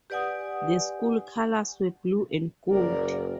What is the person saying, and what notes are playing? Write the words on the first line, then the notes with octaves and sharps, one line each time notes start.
The school colors were blue and gold.
G4 B4 D5 F#5 G#5 D#6
F#1 A#4 D5